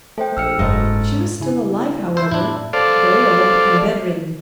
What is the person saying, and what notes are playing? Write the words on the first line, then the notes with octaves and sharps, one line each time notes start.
She was still alive, however, very old, and bedridden.
A3 A4 C5 G5
A#1 E6 F6 C#7
F#1 G#2 A3 D#5
C#3 E4 G#5
C5 B5 E6 G6
A2 D4 E4
A4 C5 D5 F5